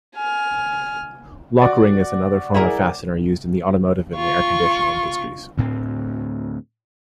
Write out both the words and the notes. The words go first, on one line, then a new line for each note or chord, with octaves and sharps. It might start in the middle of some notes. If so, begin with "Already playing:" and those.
Lokring is another form of fastener used in the automotive and air condition industries.
G#5 F6
F#4 D5
E4 G#4 A#4
F4 C#6
D2 A2 B3 C4